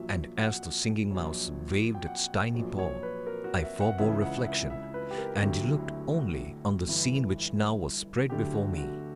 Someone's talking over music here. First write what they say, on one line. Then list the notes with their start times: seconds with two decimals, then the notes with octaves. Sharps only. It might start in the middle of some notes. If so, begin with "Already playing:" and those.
And as the Singing Mouse waved its tiny paw I forbore reflection and looked only on the scene which now was spread before me.
Already playing: A#1 A#2 F#3 E5
0.39 F#5
1.11 A#1 A#2 F#3
1.94 G5
2.06 F#5
2.55 A#1 A#2 F#3
2.79 C#5
3.03 B4
3.27 A#4
3.44 F#4
3.63 E5
3.81 F#5
3.98 C#2 C#3 E3 E5
4.22 F#5
4.46 E5
4.70 E5
4.94 B4
5.11 G4
5.18 A#4
5.42 D2 D3 F#3 G4
5.78 E4
6.14 F#4
6.86 G1 G2 E3
8.30 D2 D3 F#3 G4
8.54 F#4
8.78 F#4